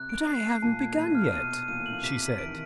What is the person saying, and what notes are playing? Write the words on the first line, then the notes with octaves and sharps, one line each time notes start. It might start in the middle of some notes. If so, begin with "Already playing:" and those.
"But I haven't begun yet," she said.
Already playing: C3 F#6
D7
C7
C7
A#2 A5
G#6
A2 D#7
A#2
F6
C3
B2 D#7
D#7
A#2 D#7
A2
F#7
A#2
C3 B6
B6
E3 D7
D#3